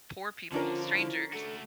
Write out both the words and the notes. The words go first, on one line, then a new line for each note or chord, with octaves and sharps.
poor people, strangers,
D3 F3 C#4 D4 F4 A#4
E4
A3 F#4 A4